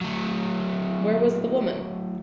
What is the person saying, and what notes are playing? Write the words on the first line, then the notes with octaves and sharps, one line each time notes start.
Where was the woman?
F#3 A3